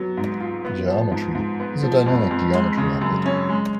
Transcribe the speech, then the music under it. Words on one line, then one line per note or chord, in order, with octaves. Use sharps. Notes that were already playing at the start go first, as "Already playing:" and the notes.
Jeometry is a dynamic geometry applet.
Already playing: F#3 B3
G#2
F4
B3
F3
G#2
G#2
B3
F3
F2
F2
G#3
C#3
F#2
C#4
G#3